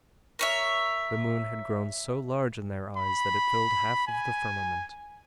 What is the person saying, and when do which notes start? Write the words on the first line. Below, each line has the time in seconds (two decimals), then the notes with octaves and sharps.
The moon had grown so large in their eyes that it filled half of the firmament.
0.39 A#4 C#5 E5
2.97 B5
4.07 G#5